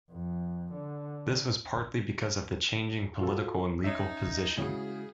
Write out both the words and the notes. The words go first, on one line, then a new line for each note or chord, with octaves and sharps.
This was partly because of the changing political and legal position.
F2
D3
F4 F#4 A4
C#4 D#4 C#5 E5
C#3 G#3 E4 F#4 G#4